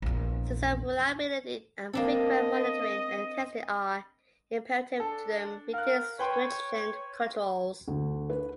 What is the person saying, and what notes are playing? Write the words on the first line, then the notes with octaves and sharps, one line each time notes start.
System reliability and frequent monitoring and testing are imperative to them meeting stringent controls.
A#1 E2
A#3 C4 D4 A4 D#5
D4 A4
A#4 F5 F#6
B4 C#5 G5 C6
D2
B4